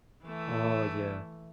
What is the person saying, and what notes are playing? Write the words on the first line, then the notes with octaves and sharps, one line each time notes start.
Oh, yeah.
E3 A3